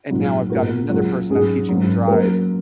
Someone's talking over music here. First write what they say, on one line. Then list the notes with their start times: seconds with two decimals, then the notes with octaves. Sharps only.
And now I've got another person I'm teaching to drive,
0.11 A#1 G#2 F#3
0.50 A#2 A#3 F#4
0.90 C#2 C#3 F#3 C#4 F#4
1.29 G#2 F#3 C#4 G#4
1.69 G#1 F#2 F#3
2.08 F#2 F#3 A#3 F#4 A#4